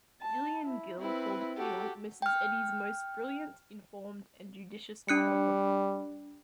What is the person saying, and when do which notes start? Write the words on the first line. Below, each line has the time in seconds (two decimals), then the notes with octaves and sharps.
Gillian Gill called Peel Mrs. Eddy's most brilliant, informed and judicious biographer.
0.21 A5
0.65 E4
1.00 C4 E4 B4
1.57 F#4 G4 A4
2.22 G5 F6
5.09 G3 D4 F#6 C#7